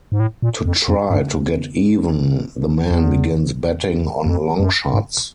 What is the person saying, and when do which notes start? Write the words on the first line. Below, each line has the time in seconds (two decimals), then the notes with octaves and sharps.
To try to get even, the man begins betting on long shots.
0.12 G#2
0.20 A2
0.42 A#2
0.66 F2
0.88 F2
1.11 G2
2.91 E2
4.26 F2
4.60 F#2
4.94 G#2